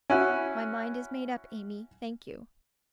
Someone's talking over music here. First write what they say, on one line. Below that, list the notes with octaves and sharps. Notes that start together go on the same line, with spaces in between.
'My mind is made up, Amy, thank you.'
C#4 E4 F#4